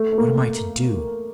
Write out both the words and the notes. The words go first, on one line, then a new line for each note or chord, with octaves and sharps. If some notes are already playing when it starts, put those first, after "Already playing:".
"What am I to do?"
Already playing: A3
A3
A#3